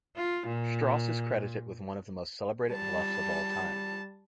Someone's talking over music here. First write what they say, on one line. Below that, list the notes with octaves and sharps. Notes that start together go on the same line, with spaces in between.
Straus is credited with one of the most celebrated bluffs of all time.
F4
A#2
G3 A5